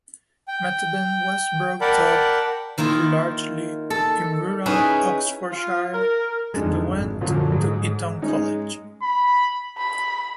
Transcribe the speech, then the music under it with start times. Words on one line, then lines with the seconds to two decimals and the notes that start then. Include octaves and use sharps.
Methven was brought up largely in rural Oxfordshire and went to Eton College.
0.48 G5
1.81 A#4 D5 F#5 G5 A5 B5
2.78 D#3 A#3 E4 F4
3.90 A4
4.66 C#4 D#4 E4 G#4 B4
5.50 F4
5.93 A#4
6.54 F2 D3 G#3 D4 D#4
6.88 G#1
7.21 F#2 A#2 D3 F3 F#3 F4
7.52 G#2 F#3
8.22 G#3 C#4 D#4
9.03 B5
9.78 B5